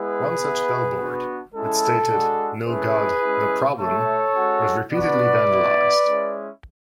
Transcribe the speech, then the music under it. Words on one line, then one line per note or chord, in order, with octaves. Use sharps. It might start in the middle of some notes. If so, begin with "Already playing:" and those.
One such billboard, which stated "No God...No Problem" was repeatedly vandalized.
Already playing: G#3 B3 E4 G#4 B4
B3 E4
B3 D4 F#4
G#3 C#4 E4 A4
G#3 D4 F#4
A3 C#4 E4 G#4 B4
G#3 C#4 E4
A3 E4 A4 C#5
G#3 C#4 F#4
B3 D4 F#4 B4 D5
B3 E4
G#3 C#4 E4